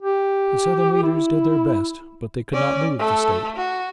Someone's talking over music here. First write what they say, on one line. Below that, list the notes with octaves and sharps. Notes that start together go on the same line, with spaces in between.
"The Southern leaders did their best, but they could not move the state."
G4
E4
C#4 D5
A3 A4
F#4